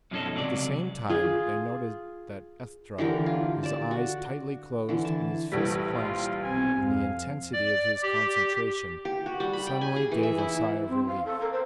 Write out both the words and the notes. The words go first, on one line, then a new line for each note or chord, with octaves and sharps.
At the same time they noted that Estra, his eyes tightly closed and his fists clenched in the intensity of his concentration, suddenly gave a sigh of relief.
F#2 B2 F3 C#4 D#4 A4
C#2 C3 F#3 D5
F4 G#4
D3 E3 G4 A#4
F4
D5 A5
F#4
D3 E3
A5
A#1 E3 G3 A3
F4
B1 C4 G#5
F2 F5
D5
G4
G4
F#4
G3
B5
G5
G#5
G#4
E3
E5
E4
E4
C4
F5
A4
A#4
C5